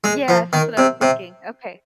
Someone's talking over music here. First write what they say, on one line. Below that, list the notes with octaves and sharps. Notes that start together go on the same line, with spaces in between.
Yes, that's what I was thinking. Okay.
G#3
F3
D#3
C3
C3